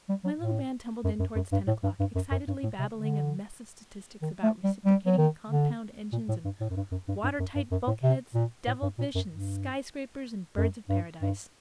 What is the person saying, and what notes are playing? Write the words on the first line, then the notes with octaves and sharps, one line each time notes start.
My little band tumbled in toward ten o'clock, excitedly babbling a mess of statistics about reciprocating compound engines and watertight bulkheads, devil-fish and sky-scrapers and birds of paradise.
G3
F#3
A2
F#2
F#2
F#2
G2
A2
G2
G2
F#2
F#2
G2
A2
C3
D3
D#3
A3
G3
G3
F#3
D#3
D3
A#2
A2
G2
A2
F#2
G2
F#2
G2
G2
F#2
G2
F#2
A2
C3
A#2
A2
G2
A#2
F#2
G2
F#2
G2
G2